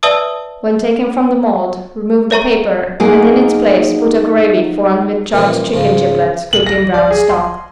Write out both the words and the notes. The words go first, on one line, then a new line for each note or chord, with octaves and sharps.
When taken from the mold, remove the paper and in its place put a gravy formed with chopped chicken giblets cooked in brown stock.
B4 D5 E5 A5 D#6 E6
C#5 E5 A#5 C#6
F#3 A#3 D#4 F#4 G#4
F#2 A#2 E3 F3 G3
G#2 C#3 F3
F#7
A#6
D5
G#4
C6